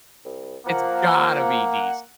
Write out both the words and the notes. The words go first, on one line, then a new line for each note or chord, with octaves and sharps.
it's gotta be decent.
C2
F3 A#3 F#5